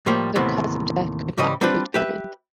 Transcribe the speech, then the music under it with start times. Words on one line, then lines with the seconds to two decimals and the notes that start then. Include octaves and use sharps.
The cause of death could not be determined.
0.06 A2 F3 G3 A#3
0.35 D#2 A2 C3 E3 B3
1.38 G#2 C#3 E3 G3 D#5
1.61 G3 C4 D4 F4 B4
1.94 G4 B4 E5